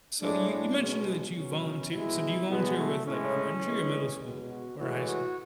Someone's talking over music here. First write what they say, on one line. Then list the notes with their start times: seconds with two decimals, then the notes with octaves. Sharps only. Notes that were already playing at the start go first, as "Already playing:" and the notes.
So you you mentioned that you volunteered so, do you volunteer with, like, elementary or middle school or high school?
0.21 A2 G#3 D4
0.50 D4
0.78 B2 G#3 C#4
1.35 B2 F#3 C#4
1.92 B2 G#3 E4
2.49 B2 G#3 B3
2.78 A3
3.06 A2 G#3 C#4
3.63 A2 E3 G#3
4.20 B2 G#3
4.49 F#4
4.78 A2 E3 G#3 F#4
5.06 F#4